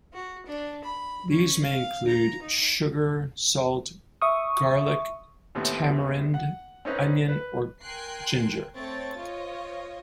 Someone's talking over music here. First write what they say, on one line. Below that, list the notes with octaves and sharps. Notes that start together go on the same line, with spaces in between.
These may include sugar, salt, garlic, tamarind, onion or ginger.
F#4
D4
B5
C#4
F5
A#5
D#4
E5 C#6 D#6
D#2 A2 C3 B3
F#5
C4 C#4 D#4 B4
B4
A#4 G5 G#5 C6 F#6 C7
A3 C4 C#5 A6
F4 C5 C#5 D#5